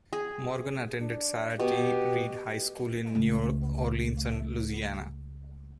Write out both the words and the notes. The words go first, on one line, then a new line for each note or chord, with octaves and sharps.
Morgan attended Sarah T. Reed High School in New Orleans, Louisiana.
G#4
D4
B2 G4
C#2 A3